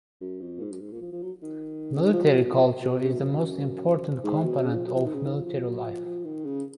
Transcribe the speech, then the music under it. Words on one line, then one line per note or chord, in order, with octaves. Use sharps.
Military culture is the most important component of military life.
F#2
F2
A#2
G#2
F#2
G#2
A#2
F3
F3
F#3
D#3
C#3
D#3
F3
F#3
F3
B2
F3
B2
C#3
B2
F2
F#2
F#2
G#2
B2
C#3
F3
F#3
F3
D#3
C#3
D#3
F3
F3
F#3
F3
F3
D#3
C#3